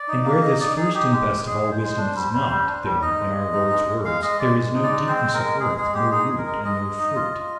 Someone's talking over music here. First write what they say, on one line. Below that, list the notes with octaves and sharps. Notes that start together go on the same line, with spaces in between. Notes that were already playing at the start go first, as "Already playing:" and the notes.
And where this first and best of all wisdom is not, there, in our Lord's words, there is no deepness of earth, no root, and no fruit.
Already playing: D5
D#4
A#3
D#4 D#5
D#4 D5
D#4 G#4
D#4 G4
G#3
G#3
G#3 G#4
G#3
C5
G#3
D4
G3
G3
G3
D4
G3
D#4 D#5
G#3
G#3
D#4
G#3
G#3
G#3 F5
G#3 D#5
G#3 D5
G#3
D#4
D5
G#3
C4 C5
G#3
A#4
G#3
G#3 G#4
G#3 G#4
G#3 G4
D#4 G#4
G#3
A#4
G#3
G#3 D#5
G#3
D#4
F4
F4